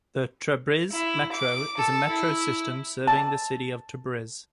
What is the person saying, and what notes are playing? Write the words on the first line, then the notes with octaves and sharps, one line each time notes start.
The Tabriz Metro is a metro system serving the city of Tabriz.
E4
D6
A4
E4
A5